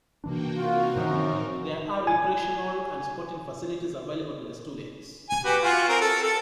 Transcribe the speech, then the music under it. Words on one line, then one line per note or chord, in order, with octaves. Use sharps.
There are recreational and sporting facilities available to the students.
C3 E3 A#3 D4 F#4 G5
C4 D#4 F4 F#4 A#4
F#2 A2 D#3 F3
G#5
G#5
F#4 G4 B4
F4 F#4 G#5
C4 A#4
A4
A4